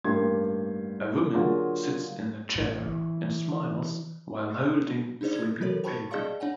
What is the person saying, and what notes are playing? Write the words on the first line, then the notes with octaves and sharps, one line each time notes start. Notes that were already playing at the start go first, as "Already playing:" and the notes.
A woman sits in a chair and smiles while holding a sleeping baby.
A1 G2 A#3 G4 C6 G#6
D3 F#3 A#3 F4 G#4
A1
E3
D4 D#4 G#4 C5 D5
G#6
E3 F#3 F#4 A4 A#4 C#5
C5 G5 A5 B5 C#6
G#4 D5 D#5 F5 A5
D4 C#5 F#5 G#5